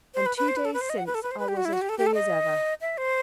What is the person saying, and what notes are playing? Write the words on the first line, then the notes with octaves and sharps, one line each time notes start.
"And two days since I was as free as ever."
C5
B4
B4
C5
B4
A4
B4
C5
D#5
F#5
B4
A4
B4
C5
B4
G4
F#4
E4
F#4
G4
A4
G4
A4
D#5
E5
C5